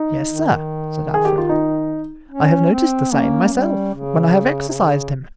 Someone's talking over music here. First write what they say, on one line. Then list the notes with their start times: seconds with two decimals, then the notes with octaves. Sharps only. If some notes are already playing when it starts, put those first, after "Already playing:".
"Yes, sir," said Alfred, "I have noticed the same myself, when I have exercised him."
Already playing: D#4
0.26 D#3
1.14 G#4
1.25 G4
1.38 F4
1.49 D#4
2.31 C#4
2.72 C4
3.12 A#3 C#4
3.53 G3
3.94 C#3
4.68 C3
4.76 C#3